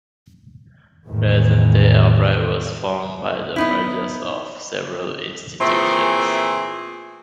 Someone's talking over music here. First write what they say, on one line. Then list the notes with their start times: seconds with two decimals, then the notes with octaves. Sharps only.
Present-day Albright was formed by the mergers of several institutions.
1.07 E2 A2 D#3 G#3
3.56 B3 D#4 E4
5.61 A#2 E3 A3 C4 G#4